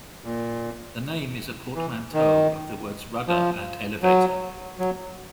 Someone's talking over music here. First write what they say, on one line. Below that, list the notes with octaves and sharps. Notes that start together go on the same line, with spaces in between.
The name is a portmanteau of the words rudder and elevator.
A#2
E3
D#3
F3
F#3
F#3